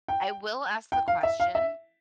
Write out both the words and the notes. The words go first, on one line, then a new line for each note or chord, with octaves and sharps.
I will ask the question.
G5
G5
F5
E5
F5
E5